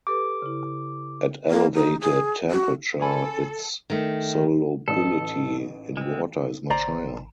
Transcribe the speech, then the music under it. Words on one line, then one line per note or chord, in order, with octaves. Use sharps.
At elevated temperature its solubility in water is much higher.
G4 A4 B4 D6
C#3 E4
A#3
D#4
G#4
F#4
C#4 A4 G#5 B5
D#3 A3
A1 D#4 A4 D#6
G#3 C4
G#1 C5 D5 A#5